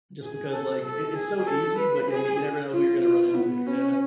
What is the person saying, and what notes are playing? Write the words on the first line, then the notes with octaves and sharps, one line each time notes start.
Just because, like, it it's so easy, but yeah, you you never know who you're gonna run into, yeah.
G#4
A4
A4
G#4
A4
B4
G#4
F4
F4
B3
C#4